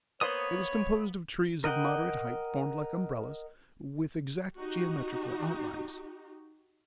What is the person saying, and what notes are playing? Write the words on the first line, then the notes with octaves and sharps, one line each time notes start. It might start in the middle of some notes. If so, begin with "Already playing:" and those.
It was composed of trees of moderate height, formed like umbrellas, with exact geometrical outlines.
A#3 B3 C5 C#5 B5 D#6
A#4 D#5 F#5 G5
D#4 F#4 G4